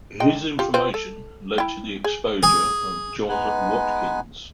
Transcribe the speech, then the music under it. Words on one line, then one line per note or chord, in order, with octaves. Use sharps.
His information led to the exposure of John Watkins.
G#3 D#4 G5
F4 G4
C4 F4 B4
A4
E4 G5
G#4
G#4
G#3 B3 D#4 B4 G#5